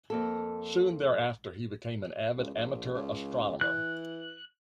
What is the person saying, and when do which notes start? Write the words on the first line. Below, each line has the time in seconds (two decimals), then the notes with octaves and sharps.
Soon thereafter, he became an avid amateur astronomer.
0.10 F2 A#3 A4
2.36 C#2
2.54 A#1
2.94 C#2
3.61 E3 F#6